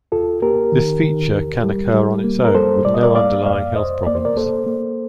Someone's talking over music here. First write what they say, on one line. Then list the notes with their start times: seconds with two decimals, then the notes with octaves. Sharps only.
This feature can occur on its own, with no underlying health problems.
0.12 D#2 F4 A4
0.42 A#3 G4 A#4
0.72 D#3
1.04 D#3
1.33 D#2
1.63 G3
1.94 G3
2.24 A#3
2.45 A#4
2.55 G3 A4 C5
2.85 G3 D5
2.94 D#5
3.03 A#4 D5
3.15 A#3 D5 F5
3.46 F2 D5 F5
3.76 F2 C5 D#5
4.06 A#3 D5
4.15 C5
4.25 A#4 D5
4.37 A#3 A4 C5
4.67 A#3